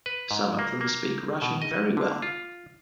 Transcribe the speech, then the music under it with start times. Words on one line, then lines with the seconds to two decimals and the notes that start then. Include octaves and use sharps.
Some of them speak Russian very well.
0.06 B4
0.31 G#2
0.59 A#3
0.81 A#3
1.42 B2
1.62 D#5
1.97 D3
2.22 F4